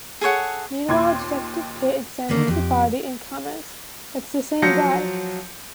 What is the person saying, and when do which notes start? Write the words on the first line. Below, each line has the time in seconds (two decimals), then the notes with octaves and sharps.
Meanwhile, detective Kate examines the body and comments, "it's the same guy".
0.21 G#4 A4 C#5 F#5
0.88 D#2 A#2 C6 D6 G#6
2.29 D3 D#3 A3 A#3
2.48 F2 G4
4.62 F3 F#3 G6 A#6 C#7